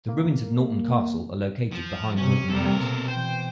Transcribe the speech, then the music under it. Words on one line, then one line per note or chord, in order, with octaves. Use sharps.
The ruins of Naughton Castle are located behind Naughton House.
A#3
F3
C3 C#4
C3 G3 A#3 A4 A#4
B2
E3 C5 G5